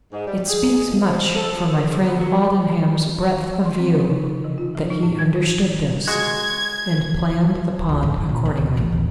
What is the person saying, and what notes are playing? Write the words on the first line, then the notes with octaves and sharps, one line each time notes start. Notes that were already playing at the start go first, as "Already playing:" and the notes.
It speaks much for my friend Aldenham's breadth of view that he understood this, and planned the pond accordingly.
G#2
G3
G#4
F2
F3
A4
F3
D#3
C#3
B3
F#3
C6
C4
C3
D#4
C#3
E3
F4
F3
D#4
A2
G#6
F4
G#3 F#4 F#5 G#6
C#2
G#2
G2
A#2
D3
D#2
A1
D#2